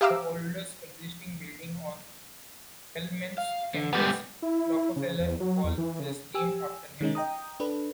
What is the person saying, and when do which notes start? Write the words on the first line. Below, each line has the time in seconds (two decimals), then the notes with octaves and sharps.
The oldest existing building on Spelman's campus, Rockefeller Hall, is named after him.
0.01 G4 E5 F5 A#5 D6 E6
3.38 F5
3.74 D3
3.93 G3 G#3 B3 G4
4.42 E4
4.96 C#3
5.19 E2
5.40 F#3
5.64 E2
5.78 E3
6.00 C#3
6.34 G4 G#5 E6
7.01 D#3 G#3 C#4 D#4
7.15 D#5 G5 A#5 D#6
7.60 D4 A4 B4